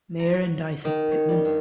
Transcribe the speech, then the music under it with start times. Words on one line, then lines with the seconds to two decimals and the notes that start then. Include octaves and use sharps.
Mayor and Isaac Pitman.
0.20 A#5
0.34 F#4
0.85 D#3
1.12 C#5
1.29 G3
1.45 G2